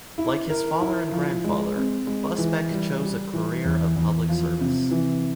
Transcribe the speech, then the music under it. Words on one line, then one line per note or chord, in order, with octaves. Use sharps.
Like his father and grandfather, Busbecq chose a career of public service.
E4
A#4
E4
F3
G#3
C4
G#3
E3
G3
G3
E3
E2
E2
F3
C3
E3